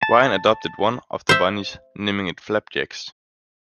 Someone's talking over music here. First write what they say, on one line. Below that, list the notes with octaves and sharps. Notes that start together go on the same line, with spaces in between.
Ryan adopted one of the bunnies, naming it Flapjacks.
A5
C5 E5